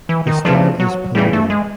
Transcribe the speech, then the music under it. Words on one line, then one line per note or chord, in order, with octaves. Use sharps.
The style is Palladian.
E3
D#3
E2 C3 E3 F3 A3 D4
F#3
E2 C#3 E3 G3
A3
G#3